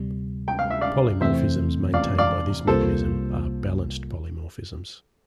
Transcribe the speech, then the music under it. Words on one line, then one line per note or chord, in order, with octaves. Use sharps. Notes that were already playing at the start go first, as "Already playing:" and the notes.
Polymorphisms maintained by this mechanism are "balanced polymorphisms".
Already playing: D2 C3 G3
G5
F5
E5
D5 F5
E2 C3 E3 A3 C4 C5 E5
D5 F5
D5 F5
C2 C3 G3 A#3 F4 A4 C5